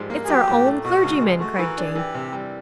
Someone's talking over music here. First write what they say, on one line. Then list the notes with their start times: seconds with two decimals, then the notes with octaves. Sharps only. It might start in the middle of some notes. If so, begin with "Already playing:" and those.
'It's our own clergyman,' cried Jane.
Already playing: G#2 F3 G3
0.10 A#3
0.24 G#4
0.28 F#3 G4
0.47 A2
0.66 A3
0.84 B2 F#4
1.03 C#2
1.21 G#3
1.40 A3 F#4
1.55 E3 B4
1.64 A#4
1.75 D4 A4
1.85 G#4
1.95 E3 G4
2.14 C3
2.33 G3